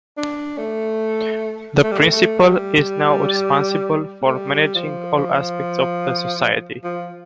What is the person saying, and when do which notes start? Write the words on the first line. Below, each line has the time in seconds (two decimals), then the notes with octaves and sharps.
The Principal is now responsible for managing all aspects of the Society.
0.17 D4
0.58 A3
1.83 A3
1.91 G3
1.99 A3
2.11 A3
2.39 G3
4.24 A3
4.34 G3
4.75 F3
5.16 F3
6.84 F3